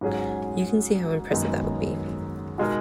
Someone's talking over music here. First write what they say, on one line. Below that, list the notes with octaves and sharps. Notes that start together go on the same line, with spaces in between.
You can see how impressive that would be.
G#2 F#3 C#4 G#4
F#2 D#3 G#3 B3 D#4
B2 G#3 D#4 A#4